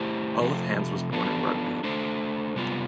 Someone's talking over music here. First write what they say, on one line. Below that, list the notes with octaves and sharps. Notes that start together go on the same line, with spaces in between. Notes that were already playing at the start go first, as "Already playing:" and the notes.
Olive Hands was born in Rugby.
Already playing: A3 E4 G4 C5
C3 F3 A3
F3 B3 D4 F4 A4
A3 D4 A4 C5
C3 G3 B3 F4